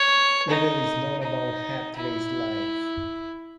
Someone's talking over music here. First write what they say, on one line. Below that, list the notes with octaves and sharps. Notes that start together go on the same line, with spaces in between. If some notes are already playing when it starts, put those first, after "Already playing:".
Little is known about Hathwaye's life.
Already playing: C#5
D#4
D#4
E4